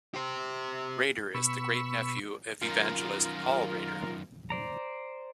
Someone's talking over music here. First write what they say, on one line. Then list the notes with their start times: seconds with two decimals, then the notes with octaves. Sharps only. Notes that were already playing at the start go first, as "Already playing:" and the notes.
Rader is the great-nephew of evangelist Paul Rader.
0.14 G4 C5
1.34 B2 B5 C#6 E6
2.62 F#2 D#3 F4 A#4
4.50 C5 D5 A#5